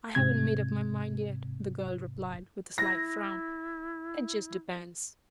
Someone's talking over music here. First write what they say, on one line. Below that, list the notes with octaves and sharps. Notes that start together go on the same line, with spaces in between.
"I haven't made up my mind yet," the girl replied, with a slight frown. "It just depends."
G#2 C3 G#6
E4 A#6